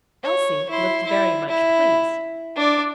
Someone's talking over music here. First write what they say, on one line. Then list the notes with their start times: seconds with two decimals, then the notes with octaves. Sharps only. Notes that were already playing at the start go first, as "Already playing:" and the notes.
Elsie looked very much pleased.
0.24 C#5
0.70 E4 C6
1.05 E4
1.49 E4
2.56 D4 D5